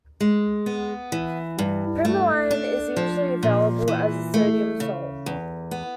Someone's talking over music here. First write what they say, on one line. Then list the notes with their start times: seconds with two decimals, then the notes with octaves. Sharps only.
Primuline is usually available as a sodium salt.
0.20 G#3
0.66 B3
1.12 E3
1.59 G2
2.05 A3
2.51 D4
2.97 F3
3.43 A#2
3.88 E3
4.34 A3
4.80 C#3
5.26 E2
5.71 B3